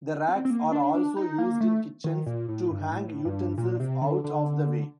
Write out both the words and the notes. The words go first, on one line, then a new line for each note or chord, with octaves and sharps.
The racks are also used in kitchens, to hang utensils out of the way.
C4
C4
A#3
D4
D4
D#4
A#3
A3
D#3
A#2
A2
G2
A2
G2
A#2
C3
D3
D3